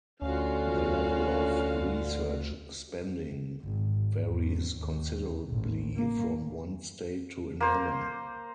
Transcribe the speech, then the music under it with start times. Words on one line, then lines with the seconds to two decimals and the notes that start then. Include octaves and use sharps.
The level of research spending varies considerably from one state to another.
0.22 D2 D3 C#4 F4 F#4 F5
3.60 G#1
4.20 E2
4.76 D#2
5.50 A1
5.96 A#3
7.60 A#3 C5